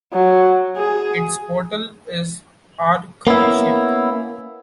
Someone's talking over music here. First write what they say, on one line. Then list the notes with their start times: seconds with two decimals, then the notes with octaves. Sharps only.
Its bottle is arch-shaped.
0.13 F#3
0.77 G#4
3.27 A#3 B3 C#4 E4